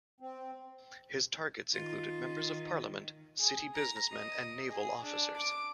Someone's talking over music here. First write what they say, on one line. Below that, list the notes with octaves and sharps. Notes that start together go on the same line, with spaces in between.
His targets included members of parliament, city businessmen and naval officers.
C4
D#3 F4
G#4
A#5
D#5
G#4
D4
D6